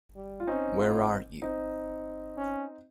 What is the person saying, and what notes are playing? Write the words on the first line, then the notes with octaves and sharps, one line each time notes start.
Where are you?
G3
F4
C4 C#4 D#4
F4
C4 D#4
C#4